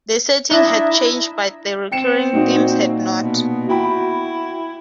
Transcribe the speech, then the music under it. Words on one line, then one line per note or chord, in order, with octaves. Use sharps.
The setting had changed but the recurring themes had not.
D4 E4 D#5 E5 A#5
C4 G5 C#7 E7
A#2 D#4 F#4
B2
E4 F#4 G5 B5